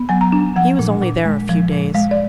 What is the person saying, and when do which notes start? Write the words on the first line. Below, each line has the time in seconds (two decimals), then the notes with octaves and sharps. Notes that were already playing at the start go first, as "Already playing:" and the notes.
He was only there a few days.
Already playing: B3
0.09 F#3 G#5
0.21 A#5
0.32 D4
0.56 F3 F#5
0.79 A#2
1.02 A#2
1.25 G#3
1.49 F3
1.72 A#2
1.95 G#3 F5
2.11 D5